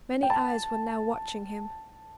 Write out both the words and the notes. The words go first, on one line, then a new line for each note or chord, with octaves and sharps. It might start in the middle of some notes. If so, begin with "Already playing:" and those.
Many eyes were now watching him.
G5
A5